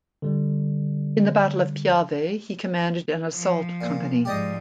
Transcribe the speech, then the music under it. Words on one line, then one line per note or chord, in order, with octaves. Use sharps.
In the battle of Piave he commanded an assault company.
D3 G3
F3
A#2
G#2 F3 G4 D5 D#5